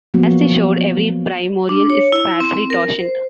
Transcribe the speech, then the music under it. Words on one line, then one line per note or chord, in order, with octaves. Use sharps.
As they showed, every primorial is sparsely totient.
F3 F#3 A#3 B3 F#4
D4
C#5
E4
C4
A#4
C5